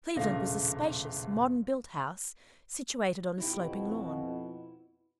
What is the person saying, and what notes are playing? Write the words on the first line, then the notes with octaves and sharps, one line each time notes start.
Cleveland was a spacious, modern-built house, situated on a sloping lawn.
E1 A#1 C#3 A3 F5 A#6
F2 B2 D#4 E4 G4